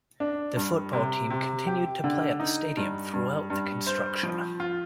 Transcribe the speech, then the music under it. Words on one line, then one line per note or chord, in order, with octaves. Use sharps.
The football team continued to play at the stadium throughout the construction.
D4
G2
C3
C3
G4
D3
D#4
G2
G2
G2
C5
F3
F4